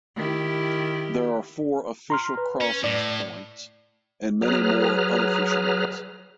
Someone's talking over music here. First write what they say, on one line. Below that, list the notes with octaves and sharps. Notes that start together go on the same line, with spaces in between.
There are four official crossings points and many more unofficial ones.
D#3 E4 G4
A#5 C6 F6
B4
C#4
A2 D5
F#3 G#4 B4 A#5 F6